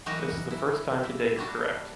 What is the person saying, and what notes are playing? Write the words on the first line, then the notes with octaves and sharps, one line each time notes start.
This is the first time today you’re correct.
E3 F#3 G3 D#4 F#4 A#4
E4
A#3 E4
G3 D4 F#4